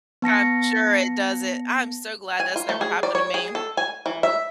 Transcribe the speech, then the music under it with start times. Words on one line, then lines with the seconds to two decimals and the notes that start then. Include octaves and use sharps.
I'm sure it doesn't. I am so glad that's never happened to me.
0.22 B3 A5 A#6 C#7
2.40 G#5
2.56 F4
2.69 A3
2.81 G#4
3.03 D5
3.15 C#5
3.34 G#4
3.55 A4
3.77 G#5
4.06 E3
4.23 E5